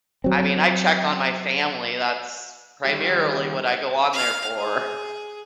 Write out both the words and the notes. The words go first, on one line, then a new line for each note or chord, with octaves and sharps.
I mean, I check on my family that's primarily what I go on there for.
F#3 C4
D#3 G3 G4
F5
G#4